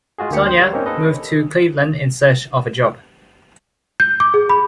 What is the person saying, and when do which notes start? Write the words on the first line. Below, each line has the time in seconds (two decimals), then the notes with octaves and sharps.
Sonia moved to Cleveland in search of a job.
0.18 G#3 F4 F#4 G#4
0.30 D2 A#3 G4 C#7
0.46 C5
0.60 G3 C#5
0.73 A#3 C4 C#4 D#4
0.86 A4 B4 D#5
4.00 G6
4.20 D6
4.34 G#4
4.49 B5